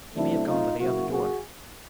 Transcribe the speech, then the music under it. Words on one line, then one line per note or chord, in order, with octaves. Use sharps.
"He may have gone by the other door."
B2 F#3 A3 C4 D4 E4
D#4 F4
C#3 F#3 A#3 E4 F#4
F#4 G#4